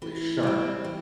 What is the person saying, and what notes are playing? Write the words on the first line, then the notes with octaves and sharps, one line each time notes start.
very sharp.
E3
G3 C4
E3